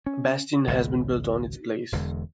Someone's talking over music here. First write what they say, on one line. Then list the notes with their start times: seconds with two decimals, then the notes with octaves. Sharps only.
A bastion has been built on its place.
0.06 C#4
0.67 G#1 C#2 C#3
1.92 E1 E2 D3 G#3